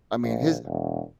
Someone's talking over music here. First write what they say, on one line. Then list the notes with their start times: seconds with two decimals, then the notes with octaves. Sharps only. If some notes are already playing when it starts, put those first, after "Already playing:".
I mean, his
0.23 A#1
0.65 E1